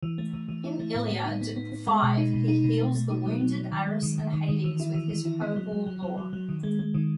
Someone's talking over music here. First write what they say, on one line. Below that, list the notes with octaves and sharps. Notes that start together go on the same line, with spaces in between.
In "Iliad" V he heals the wounded Ares and Hades with his herbal lore.
E3
A3
E3
E3
E4
A3
A2
B3
D#4
B3
B3
B3
G#3
B2
D#4
B2
D#4
B2
A3
A3
D#4
F#3
F#3
F#3
D#3
G#3
D#3
D#3
D#3
D#3
E3
E4
E3
E3
E4
B3
F#3
F#3
F#3
F#3
F#3
F#3
D#3
G#3
G#3
D#3